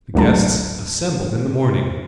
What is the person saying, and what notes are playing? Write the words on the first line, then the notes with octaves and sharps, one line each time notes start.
The guests assembled in the morning.
G#1 D2 F#3 G#3 A5